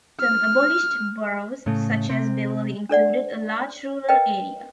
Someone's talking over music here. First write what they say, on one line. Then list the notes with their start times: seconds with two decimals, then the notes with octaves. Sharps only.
Some abolished boroughs such as Beverley included a large rural area.
0.20 F6
1.66 A2 C#3 A3
2.10 C3 C4
2.89 D4 A4 D5 F#5
4.09 A#4 B4 D#5 G5